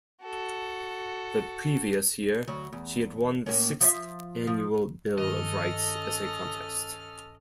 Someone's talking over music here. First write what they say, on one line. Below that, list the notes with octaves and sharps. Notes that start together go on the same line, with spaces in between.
The previous year, she had won the Sixth Annual Bill of Rights essay contest.
F#4 A4
D2 F#3
E2
A2 A#3 C#4
F3 D5 E5
F3
G2 D#3 C#4 A4 D#5 F6